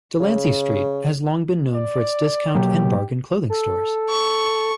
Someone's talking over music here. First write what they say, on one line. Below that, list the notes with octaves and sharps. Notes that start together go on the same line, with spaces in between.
Delancey Street has long been known for its discount and bargain clothing stores.
C#3
D5
B2 F#3 A#3 G4
A4
C#6